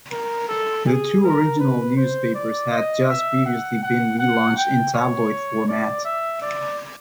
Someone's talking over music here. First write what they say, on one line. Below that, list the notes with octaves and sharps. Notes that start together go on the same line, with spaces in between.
The two original newspapers had just previously been re-launched in tabloid format.
A#4
A4
G#4
A#4
B4
C5
D5
D#5
E5
F#5
F#5
F#5
G5
C#5
D5
E5
D5